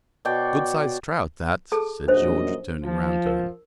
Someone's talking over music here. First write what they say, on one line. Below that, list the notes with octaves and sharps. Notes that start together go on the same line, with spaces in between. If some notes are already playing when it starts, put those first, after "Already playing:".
"Good-sized trout, that," said George, turning round to him.
B2 C#5 D5 G5
G#4 A4 A5
A#1 F#2 D4 C5 C#5 D#5
F3
A#4